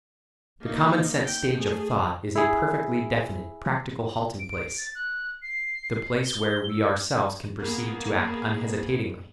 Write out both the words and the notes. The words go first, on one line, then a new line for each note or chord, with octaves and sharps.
The common-sense stage of thought is a perfectly definite practical halting-place, the place where we ourselves can proceed to act unhesitatingly.
A#3 D#4
G5
A3 G#4
E4 G#4
D7
A6
F#6
C7
G7
E6
A#3 B3 G#4